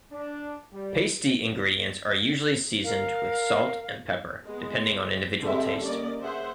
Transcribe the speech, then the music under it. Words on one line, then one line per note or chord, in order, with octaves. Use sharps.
Pasty ingredients are usually seasoned with salt and pepper, depending on individual taste.
D4
G3
A#4 F5
G#3 B3
D3 G3 G#3 C4 E5
A#3 C#4 D5 D#5
G#4 C5 E5 F#5